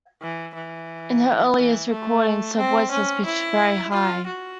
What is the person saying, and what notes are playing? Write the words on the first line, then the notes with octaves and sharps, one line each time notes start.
In her earliest recordings her voice was pitched very high.
E3
E3
E3
A3
C4
C#4
E4
F4
F#4